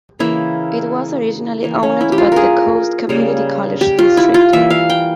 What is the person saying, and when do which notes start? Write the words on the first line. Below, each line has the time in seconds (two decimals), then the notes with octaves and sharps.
It was originally owned by the Coast Community College District.
0.19 C#3 E3 A#3 E4
1.64 E3 A#3
1.83 C#4
2.01 E4
2.12 G4
2.18 F4
2.32 G#4 A#4
3.09 C#3 G3 A#3
3.81 G4
3.99 F4
4.17 E4
4.34 F4
4.52 E3 G3 A#3 E5
4.70 F5
4.90 G5